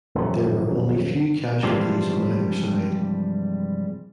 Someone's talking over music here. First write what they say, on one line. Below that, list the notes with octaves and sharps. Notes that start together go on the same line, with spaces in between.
There were only few casualties on either side.
D#1 F#2 F3
G2 C3 E3 F3 G3 G#3